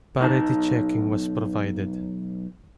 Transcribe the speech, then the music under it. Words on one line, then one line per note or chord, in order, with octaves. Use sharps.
Parity checking was provided.
B1 D#4 A5